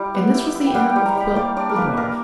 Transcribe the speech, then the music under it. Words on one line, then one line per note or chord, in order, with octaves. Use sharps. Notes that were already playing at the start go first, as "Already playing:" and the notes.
And this was the end of Quilp, the dwarf.
Already playing: G3 E4 D5
B3
E4
E4
G5
G3 F#5
G5
G3
A#5
G3
B5
A#3 D5
D4 D5
A#4
A#3 B4
A#3 A#4